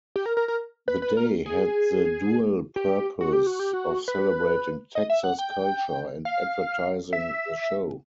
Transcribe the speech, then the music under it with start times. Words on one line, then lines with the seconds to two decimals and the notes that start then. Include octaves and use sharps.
The day had the dual purpose of celebrating Texas culture and advertising the show.
0.16 G4
0.26 A#4
0.37 A#4
0.48 A#4
0.88 B4
1.02 B4
1.17 A#4
1.46 G#4
2.76 G4
3.21 F#4
3.33 G4
3.47 F#4
3.59 G4
3.73 F#4
4.08 B4
4.95 D#5
5.10 E5
5.24 F#5
5.39 G5
6.25 F5
7.13 E5